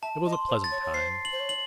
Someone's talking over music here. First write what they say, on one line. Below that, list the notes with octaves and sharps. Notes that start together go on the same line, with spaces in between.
It was a pleasant time.
E5 A5
D#5
C6
C5
A6
C#5
C#5
C5 C7
F#7
C5
C#5
F#7